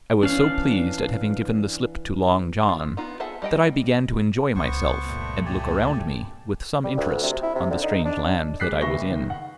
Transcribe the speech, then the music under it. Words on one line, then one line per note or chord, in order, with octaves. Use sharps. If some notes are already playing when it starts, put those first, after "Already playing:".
I WAS so pleased at having given the slip to Long John that I began to enjoy myself and look around me with some interest on the strange land that I was in.
E3 C#4 D4 F5
F4
B3 D#4 F4
G#4 A4 E5 F#5 A5
G3 D#5 G5
C#2 B3 C5 C#6
G2 A#2 A3
C#2 G4 G#5 A5
G3
D2
C3
E4
C3
D3
D#4
D4
G#3 D6 F#6 B6 C7
F#1 B3 E5 C#6 A#6 G7
D#3
F#5